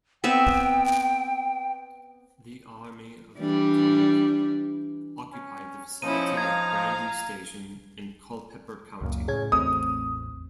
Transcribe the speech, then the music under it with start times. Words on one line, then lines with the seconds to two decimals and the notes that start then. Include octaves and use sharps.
The Army of the Potomac occupied the vicinity of Brandy Station and Culpeper County.
0.24 B3 C4 E5 G5
3.39 E3 G3 D4
5.32 C#4
6.02 F3 C#4 D#4 E4 D#7
6.37 F5 A#5 G#6
9.01 C#2 F#2 A#2
9.28 A2 C#3 G#4 C#5 G#6
9.52 A1 E2 A3 C4 D#6